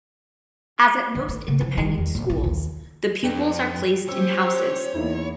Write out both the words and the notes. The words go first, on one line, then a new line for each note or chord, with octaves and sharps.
As at most independent schools, the pupils are placed in houses.
D#3
A3
C#3
F3
D#3
E2
A#1
B1
D#2
F2 D4 G5
C#4 G4 C5 C#5 E6
E2 A#3 D#4 E4